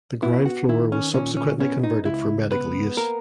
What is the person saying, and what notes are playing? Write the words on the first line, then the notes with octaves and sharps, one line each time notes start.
The ground floor was subsequently converted for medical use.
B3 E4
F#4
D#3 E4
C#4
A#2 C#4
C#4
B3 C#4
D#4
C#2 E4
B3 B4
A#3 A#4